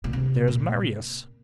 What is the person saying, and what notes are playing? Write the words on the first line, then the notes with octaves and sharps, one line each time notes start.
"There's Marius."
A#2
C3
A#2